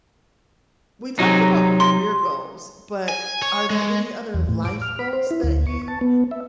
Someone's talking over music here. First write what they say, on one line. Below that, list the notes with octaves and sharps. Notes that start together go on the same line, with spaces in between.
We talked about career goals, but are there any other life goals that you,
C3 F#3 D#4
C6
G#5
C#5
G#3
E2
A2
D6
F6
B5
C5
E4
D2
C#6
A5
B3
E5